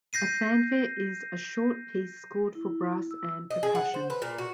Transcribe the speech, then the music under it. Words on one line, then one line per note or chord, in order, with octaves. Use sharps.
A fanfare is a short piece scored for brass and percussion.
G6 A#6 C7 D#7
E4
E6
D#5
G#4
F#5
C5
B4
A#2
F#4